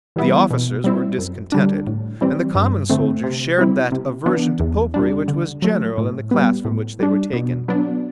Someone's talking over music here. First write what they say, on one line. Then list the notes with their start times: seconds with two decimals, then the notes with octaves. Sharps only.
The officers were discontented; and the common soldiers shared that aversion to Popery which was general in the class from which they were taken.
0.16 E3 G3 B3 E4
0.51 B2
0.84 G3 C4 E4
1.19 F#2
1.52 D3 G3 D4
1.87 A2
2.21 E3 G3 C4
2.55 G2
2.90 D3 A3 C4
3.24 C3
3.58 G3 C4 E4
3.92 C3
4.26 E3 B3 D4
4.60 E2
4.94 C3 G3 D4
5.28 D3
5.62 F#3 A3
5.98 A2
6.31 G3 B3
6.65 A2
7.00 G3 D4
7.33 B2
7.68 F#3 B3 D4